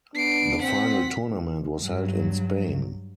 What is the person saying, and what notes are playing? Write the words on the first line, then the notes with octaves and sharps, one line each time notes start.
The final tournament was held in Spain.
B3 D4 C7 D7
C4 F#5 B6
G2 F#3